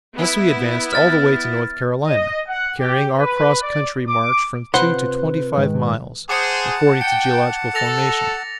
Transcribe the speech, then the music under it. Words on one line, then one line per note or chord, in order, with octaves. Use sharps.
Thus we advanced all the way to North Carolina, varying our cross-country march from two to twenty-five miles, according to geological formation.
B3 E4
F6 A6
D#5
F#5
G4
B4
D5
D6
C3 F4 B4 C5 F#5 B5
G#2 D#3 G#3
G#4 C5 F#5 A5 D6 C#7
G5 C#7
A4 A6 A#6 F7